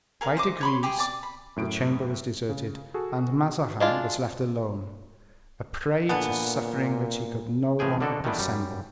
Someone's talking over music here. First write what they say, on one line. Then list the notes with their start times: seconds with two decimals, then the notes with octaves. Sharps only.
By degrees the chamber was deserted, and Mazarin was left alone, a prey to suffering which he could no longer dissemble.
0.21 G#4 A#4 F5
0.37 C5 D#5 D6
0.61 C#5 B5 C6
0.83 G4 G#4 D6
0.98 D5 D6
1.23 B5
1.56 F#2 A2 D7
2.49 C#3
2.94 F#4 G#4 A4
3.80 G#3 D4 F4
6.09 A#2 D3 E3 B3
7.79 A2 E3 F3 G#4 G5
8.00 B2 D3 A#3 D4 F#4 A4
8.24 D#3 E3 G3 A3 B3 D4
8.39 F#2 G3